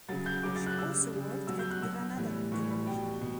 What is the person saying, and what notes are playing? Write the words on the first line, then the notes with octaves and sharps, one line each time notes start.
She also worked at Granada Television.
C#3 F#3 A6
G6
C#3 F#3 D6
A6
F#6
C#3 G3 E6
C#3 G3
B2 F#3 E6
G6
F#6
B2 F#3 E6
A2 E3 G3
A2 E3 G3 C#6
B5
B2 G3 G5
B2 G3